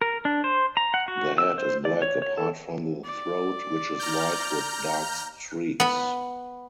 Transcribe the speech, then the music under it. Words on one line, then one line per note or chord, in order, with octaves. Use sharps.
The head is black apart from the throat which is white with dark streaks.
A#4
D4
C5
A#5
F#5
F#4
E6
C5
D5
C#5
C#5
A4
D5
A#5 F6 G6
B3 B5